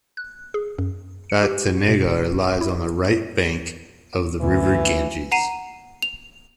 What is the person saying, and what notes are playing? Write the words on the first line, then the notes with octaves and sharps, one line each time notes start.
Batanagar lies on the right bank of the river Ganges.
F#6
G#4
F#2
C#7
G4
B2
E4
D2 E3
F#5 A#5 C7 D#7 E7
F7